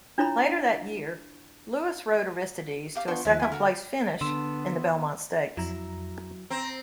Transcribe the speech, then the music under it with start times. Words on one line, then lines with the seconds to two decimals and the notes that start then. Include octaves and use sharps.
Later that year, Lewis rode Aristides to a second-place finish in the Belmont Stakes.
0.18 D4 E4 F4 C#5 A#5 B5
2.95 G4 F5 D6
3.08 B3 D4 F4 G5 C6 C#6
3.25 D#2 D#3 F3 E4 B4
3.40 E4 G#5 C6
3.52 D3 F#4 A#4
4.21 D3 B3 D4 C6 E6 E7
5.57 F2 F#3 E4 A#5
6.50 C4 A#5